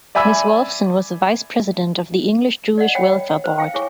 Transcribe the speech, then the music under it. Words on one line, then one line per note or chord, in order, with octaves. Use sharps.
Mrs Wolfson was a Vice-President of the English Jewish Welfare Board.
D5 E5 G#5 B5 E6
D5 D#5 F#5
C#5 D#5 F#5 G5 B5
B4 C5
F5 G5
E4 G#4 C#5 G#5 C#6